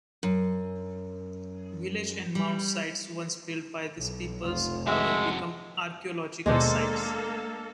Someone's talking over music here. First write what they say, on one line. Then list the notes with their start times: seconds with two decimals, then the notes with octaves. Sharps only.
Village and mound sites once built by these peoples have now become archaeological sites.
0.23 F#2
2.35 G3
3.97 B1
4.43 F1 F4
4.87 F2 G#3 F#4 E5
6.46 D#2 B2 G#3 A#3 D4 A4 C5